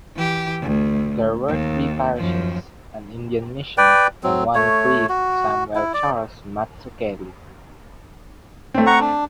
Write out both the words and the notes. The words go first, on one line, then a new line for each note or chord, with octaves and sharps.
There were three parishes, an Indian mission, and one priest Samuel Charles Mazzuchelli.
E3 G4
D2
D#2
F#2 F3
B4 D5 G5
F#3 C4
A3 C#5
F#4
E4
D5
A3 C4
F#5 A#5 C#6
D4